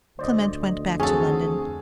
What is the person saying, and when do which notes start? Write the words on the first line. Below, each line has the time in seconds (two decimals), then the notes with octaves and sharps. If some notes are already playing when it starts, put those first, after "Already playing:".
Clement went back to London.
0.19 D2 C5 D5 D#5
1.00 F2 C#4 F#4 G#4 A4